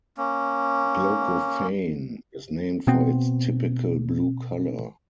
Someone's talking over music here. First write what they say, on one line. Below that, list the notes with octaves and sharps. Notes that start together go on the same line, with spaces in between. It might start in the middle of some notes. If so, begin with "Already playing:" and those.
Glaucophane is named for its typical blue color.
A#3 C#4
B2 B3 C4